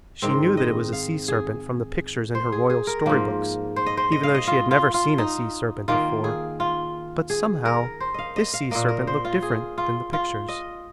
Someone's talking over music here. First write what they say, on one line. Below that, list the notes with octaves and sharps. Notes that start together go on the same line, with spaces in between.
She knew that it was a sea serpent from the pictures in her royal story books even though she had never seen a sea serpent before, but somehow this sea serpent looked different than the pictures.
G#2 D#3 C4
D#5
F5
G#4
C5
G#4
G#4
A#4
G#2 F3 A#3
C5
D#5
C5
D#5
F5
D#5
F4
F4
F4
D#4
D#3 A#3 F4
G#4
F4
G#4
A#4
C5
D#5 F5
D#5
F5
A#2 A#3 D#5
A#4
C5
F4
G#4
F4
F4
D#5